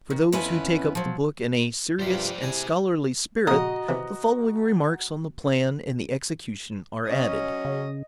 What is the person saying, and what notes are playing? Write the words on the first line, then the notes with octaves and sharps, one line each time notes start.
For those who take up the book in a serious and scholarly spirit, the following remarks on the plan and the execution are added.
D#3
F2 B3 C#4 E4 B4 G#5
F3 F#3
G2 C3 F3 G3 F4 G#4 C5 E5
C3 E4 D5 G#5 A5
A#1 C#3 F#4 D#5 A#5
C3 E3
F#3 C#4 D#5
C#3